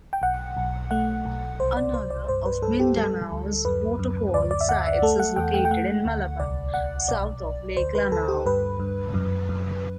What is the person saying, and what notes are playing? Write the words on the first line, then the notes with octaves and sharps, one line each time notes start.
Another of Mindanao's waterfall sites is located in Malabang, south of Lake Lanao.
G5
B1 F#5
B1
A3 F#5
B1
C2 C5
D5
C2 C5
D5
G2 C5
B4
G2 A4
G4
G3 A4
D2
F#2 B4
F#2
D2 D5
D5
E5
D2 F#5
E5
A3 A4
F#5
E2 G5
G5
G5
A3 F#5
D2
C2 D5
C2 F#5
B1 D5
B1
D2 C5
B4
D2 A4
G4
G2 B4
G2
F#2
F#2